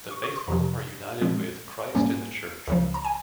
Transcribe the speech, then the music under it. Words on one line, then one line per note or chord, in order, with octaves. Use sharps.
The faithful are united with Christ in the Church.
C#6
C#6
C6
F2 C3 F3 A#5
A#2 F3 G#3 C4
G#2 G3 A#3 C#4 G#5
C#2 C#3 F3
A#5
G#5